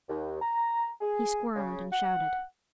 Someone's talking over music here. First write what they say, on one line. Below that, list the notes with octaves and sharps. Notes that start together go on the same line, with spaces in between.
He squirmed and shouted.
D#2
A#5
G#4
C#3
F#5